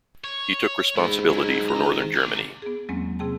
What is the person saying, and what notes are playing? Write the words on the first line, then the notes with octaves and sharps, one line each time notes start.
He took responsibility for Northern Germany.
C#5
G#2 B3 E4
F#3 E4
D#3 A#5
C3 D4
B3 G#4
E2 F#3 G#3 A#3 C4 C#4
C3 C4 G#4 G5 A5